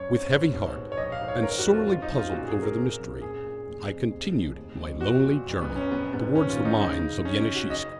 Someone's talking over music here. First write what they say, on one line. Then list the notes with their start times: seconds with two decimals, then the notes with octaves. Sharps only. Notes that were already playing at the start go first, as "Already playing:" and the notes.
With heavy heart, and sorely puzzled over the mystery, I continued my lonely journey towards the mines of Yeniseisk.
Already playing: F#2 C#5
0.09 G#1
0.31 G#2
0.54 B2
0.76 B2
0.92 C#5
0.97 A#1 D#5
1.12 F5
1.21 G#2
1.28 C#5
1.43 F#1 A#4
1.58 F#4
1.65 F2
1.73 F4
1.88 G#1 F4
2.02 D#4
2.10 F#2
2.18 F4
2.32 A#2 F#4
2.47 G#4
2.54 A#2
2.62 A#4
2.77 G#1 A#4
2.99 F#2
3.22 A#2 G#4
3.45 A#2
3.67 F1
3.89 F2
4.12 F1
4.34 D#2
4.56 F1
4.79 F2
5.01 A#2 F#4
5.24 A#2
5.46 F#1
5.62 B3
5.68 F#2
5.76 C#4
5.90 A#1 B3
6.13 G#2 B3
6.35 D#3 C#4
6.50 F4
6.58 D#3
6.65 D#4
6.81 C#3 D#4
7.03 C#3
7.25 C#3 C#4
7.41 D#4
7.47 C#3
7.55 F#4
7.70 F#1 D#5